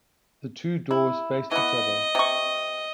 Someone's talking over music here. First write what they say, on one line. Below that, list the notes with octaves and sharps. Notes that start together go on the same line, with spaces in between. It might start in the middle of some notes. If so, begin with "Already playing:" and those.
The two doors faced each other.
E4
E3 B3 D#5
C3 C#6